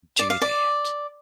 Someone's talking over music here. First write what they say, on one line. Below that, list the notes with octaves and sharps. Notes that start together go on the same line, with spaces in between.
do that
D5
F5
D5